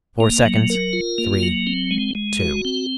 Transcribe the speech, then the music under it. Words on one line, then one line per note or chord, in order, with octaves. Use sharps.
Four seconds ... three ... two....
A#3
F#3
A#4
F4
A#3
F#3
C4
G#3
G#3
F#4
C4